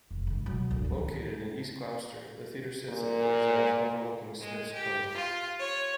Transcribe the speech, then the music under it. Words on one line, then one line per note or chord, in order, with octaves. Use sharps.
Located in East Gloucester, the theatre sits at water's edge overlooking Smith's Cove.
F1
C#2 G2
B1 F#3
D2 A#2
F3
D#3 E3
A#2
G#3
G4
F4
C#5